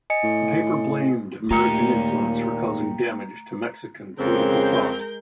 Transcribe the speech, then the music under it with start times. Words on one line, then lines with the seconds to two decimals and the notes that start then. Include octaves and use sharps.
The paper blamed American influence for causing damage to Mexican political thought.
0.10 D#5 G#5 C#7
0.23 A2
1.51 D#2 A#2 A3 A#3 G4 A#5 C#7
4.19 F2 C#3 G#3 C4 A#4 G6